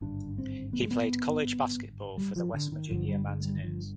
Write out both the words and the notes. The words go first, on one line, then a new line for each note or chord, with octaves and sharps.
He played college basketball for the West Virginia Mountaineers.
G#1 G2 D3 D4
C4
B3
G#3
B3
G3
F3
D3
D#3
G1 G2 D3 F3
G3
G#3
G3
D#3
F3